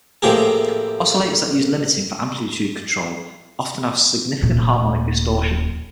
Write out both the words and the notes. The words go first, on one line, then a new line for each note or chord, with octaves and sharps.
Oscillators that use limiting for amplitude control often have significant harmonic distortion.
A2 C3 F3 A#3 G4 G#4
D#1 A#2